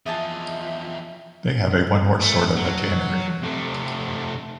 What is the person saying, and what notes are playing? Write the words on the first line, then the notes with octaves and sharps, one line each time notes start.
They have a one-horse sort of a tannery.
E2 F3 D#5 E5 G#5 A5
A3
F#3
C3 A3